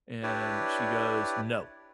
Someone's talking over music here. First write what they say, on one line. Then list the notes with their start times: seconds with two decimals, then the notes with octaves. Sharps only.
And she goes, "No,"
0.23 D4 E4 G4 B4 C#5 D5